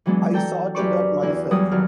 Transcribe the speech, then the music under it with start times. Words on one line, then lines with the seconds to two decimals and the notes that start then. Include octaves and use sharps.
I saw to that myself...
0.06 E3 F#3 G#3 B3 D4
0.34 A4 G5 A#5
0.75 F#2 G4 B4 D5 C#6
1.23 E2 E4
1.51 E2 F#3 G3 D#6
1.71 G2 D#3 F#3 F6